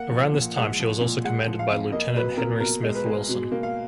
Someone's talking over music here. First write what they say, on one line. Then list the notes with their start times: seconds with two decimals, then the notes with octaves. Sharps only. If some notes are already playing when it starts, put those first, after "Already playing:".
Around this time she was also commanded by Lieutenant Henry Smith Wilson.
Already playing: A#3 F#5
0.10 F3
0.34 A#2
0.56 G#3 F#5
0.80 F3
1.01 A#2
1.24 G#3 F#5
1.47 F3
1.59 F5
1.70 F2
1.92 A#3 D#5
2.15 F#3 B4
2.37 A#2 A#4
2.60 B2 A#4
2.83 G#3
2.95 B4
3.06 G#3
3.29 B2
3.52 A#3
3.63 F5